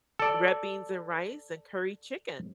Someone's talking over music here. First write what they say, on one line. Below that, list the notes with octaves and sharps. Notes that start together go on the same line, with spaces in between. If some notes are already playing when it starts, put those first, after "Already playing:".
red beans and rice and curry chicken,
A4 D5